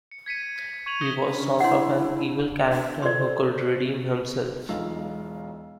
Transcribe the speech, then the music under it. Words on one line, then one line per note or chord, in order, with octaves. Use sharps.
He was sort of an evil character who could redeem himself.
C#7
G#6 B6 C#7 D#7
C#6 G#6 D#7 F7 F#7
D#6 G6 A#6 C#7 G7
C#4 D4
E4 F#5 C6
E5
F4 A4 D5 C6
C5
E1 B1 F4 D#5 F5 E6